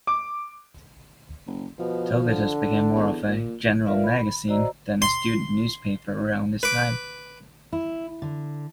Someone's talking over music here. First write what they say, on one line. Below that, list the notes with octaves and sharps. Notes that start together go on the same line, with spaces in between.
Togatus became more of a general magazine than a student newspaper around this time.
D6
F#1
B2 F3
D3
E2
A#2
F4 A#4 B4 D5 E5 F5
B5
F#4 C5 D5 D#5 A#5 E6
C6
B4 D6
E4
D3